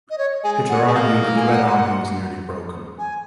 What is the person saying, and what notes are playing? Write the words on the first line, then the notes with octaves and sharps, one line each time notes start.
Hitler argued that the Red Army was nearly broken.
D#5
C#5
G#3 G#5
F#5
G#3
A#3
G#5
F#5
G#5